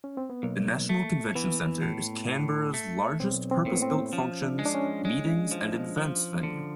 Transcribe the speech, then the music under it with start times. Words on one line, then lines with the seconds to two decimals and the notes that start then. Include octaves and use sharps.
The National Convention Centre is Canberra's largest, purpose-built functions, meetings and events venue.
0.04 C#4
0.17 C4
0.30 B3
0.43 B1 A#3
0.89 A3
1.35 E3 B3
1.82 A2
2.28 A2
2.74 A3
3.20 B1 C4
3.51 C4
3.66 A2 A#3
3.74 B3
3.82 C4
4.12 F3 C#4
4.43 D4
4.59 G#3
4.65 D4
4.74 C#4
5.05 G#3
5.52 F3
5.98 F3
6.43 D3